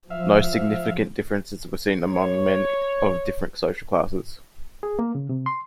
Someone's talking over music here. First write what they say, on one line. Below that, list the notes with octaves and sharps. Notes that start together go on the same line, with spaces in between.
No significant differences were seen among men of different social classes.
F3 E5 F5
C#5
G#4
A#3
C#3
C3
C6